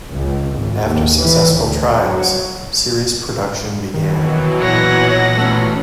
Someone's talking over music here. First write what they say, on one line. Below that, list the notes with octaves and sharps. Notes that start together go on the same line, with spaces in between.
After successful trials, series production began.
C#2
G#1
D#2
E3
D2
F#3
B2 D#3 E3 F#3
A#2 C#5 F#5 A#6
A3 C#4